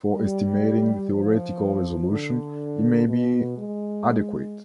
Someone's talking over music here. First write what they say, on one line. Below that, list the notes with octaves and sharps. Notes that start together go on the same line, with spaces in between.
For estimating theoretical resolution, it may be adequate.
G3
F3
D3
B2
G#3